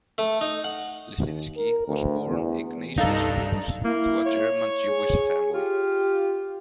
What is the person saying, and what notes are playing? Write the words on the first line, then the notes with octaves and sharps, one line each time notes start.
Lisinski was born Ignatius Fuchs to a German Jewish family.
A3
D#4
F#5
D#2
A#4
D2
E2
C2 G2 D4 D#4 A4 F5 A#5
A#3 E4
C#5
G#4
F4 G4